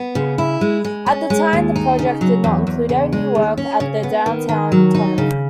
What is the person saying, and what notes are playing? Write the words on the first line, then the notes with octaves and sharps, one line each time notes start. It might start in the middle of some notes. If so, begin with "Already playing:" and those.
At the time, the project did not include any work at the Downtown Tunnel.
Already playing: B3
C#3
E4
G#3
G#3
C#4
G#3
D#2
D#4
C#3
F#3
E2
E2
C#3
G#3
D#2
C#4
C#3
B3
D#3
D#3
F#3
D#4
C#3